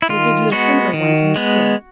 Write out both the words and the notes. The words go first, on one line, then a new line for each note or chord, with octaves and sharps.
"He will give you a similar one for Monsieur."
E4
D#3 F4
G#3 B3 F#4
D#3
G#3 B3